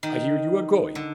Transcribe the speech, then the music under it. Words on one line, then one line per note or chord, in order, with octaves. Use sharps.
I hear you are going.
D#3
D3